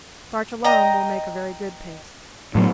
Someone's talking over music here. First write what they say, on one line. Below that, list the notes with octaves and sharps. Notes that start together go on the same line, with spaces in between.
Starch alone will make a very good paste.
D#5 G5 A#5
A2 F#3 B3